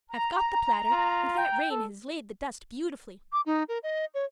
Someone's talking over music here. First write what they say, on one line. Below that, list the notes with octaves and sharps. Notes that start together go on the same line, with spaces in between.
I've got the platter, and that rain has laid the dust beautifully.
A#5
F4
G5
A4
D6
D#4
A#4
D#5
C#5